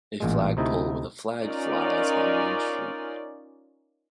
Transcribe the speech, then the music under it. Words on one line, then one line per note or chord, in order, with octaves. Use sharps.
A flag pole with a flag flies on main street.
A1 A#2 G#3
D2 C3 D#4 E4
C#4 D#4 F4 A#4 D5